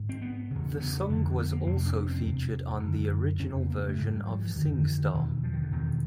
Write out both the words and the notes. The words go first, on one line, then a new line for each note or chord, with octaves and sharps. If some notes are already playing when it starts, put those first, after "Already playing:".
The song was also featured on the original version of "Singstar".
Already playing: G#2
C4
B3
E2 C#3
B3
F2 D3
B3
A#3
F2 C3 A#3
C4
D4
C#4
C4
E2 C3
F#2 D3
F2 C#3 C#4
C4
B3
A#3
A3
G#2 G#3
G3
F3
E3
F2 D3 D#3
D#3
E3
D#3
E2 B2
F3
D#3
D3
E2 B2 D#3